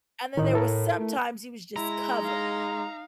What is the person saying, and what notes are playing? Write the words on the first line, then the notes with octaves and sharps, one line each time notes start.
And then there was sometimes he was just covered,
A2 D#3 D#4
E4 A4 A#4
A3
G#3 E4 A#5
D#4 F5